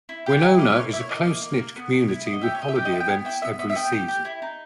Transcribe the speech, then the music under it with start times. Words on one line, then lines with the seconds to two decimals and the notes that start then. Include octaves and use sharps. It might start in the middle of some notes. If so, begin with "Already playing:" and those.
Wenonah is a close-knit community with holiday events every season.
0.09 E4
0.26 G4
0.43 E4 D#5
0.59 A#3 D#5
0.75 A#3 C#5
0.93 E4 E5
1.00 C#5
1.09 A#3 D#5
1.26 A#3
1.42 A#3
1.59 A#3
1.76 B3
1.93 B3
2.08 E4
2.26 B3
2.33 D#5
2.41 G4 E5
2.55 C#5
2.59 G4 D#5
2.68 E5
2.75 G4 G5
2.85 D#5
2.92 B3 E5
3.00 G5
3.08 B3 G#5
3.25 E4 G5
3.42 B3 E5
3.59 B3 E5
3.70 E5
3.75 B3 G5
3.92 G4
4.08 G4
4.25 E4
4.42 D#4